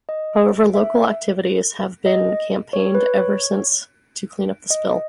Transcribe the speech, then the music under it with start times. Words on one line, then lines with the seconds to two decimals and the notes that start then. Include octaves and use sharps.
However, local activists have been campaigning ever since to clean up the spill.
0.09 D#5
0.74 E5
2.06 D#5
2.73 C#5
2.95 B4
3.17 C#5
4.71 D#5